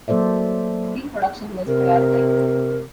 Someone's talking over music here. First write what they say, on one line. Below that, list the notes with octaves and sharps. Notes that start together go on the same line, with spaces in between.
Steel production was prioritized.
F#3 A#3 A4 C5 D5 E5
C3 A#4